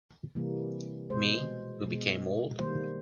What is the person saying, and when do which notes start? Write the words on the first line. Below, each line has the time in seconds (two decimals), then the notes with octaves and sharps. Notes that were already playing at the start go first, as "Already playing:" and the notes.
Me, who became old...
0.35 C3 E3 G3 A#3
1.10 B2 G#3 C5
1.85 B2 G#3
2.59 D#3 G3 A#3 C5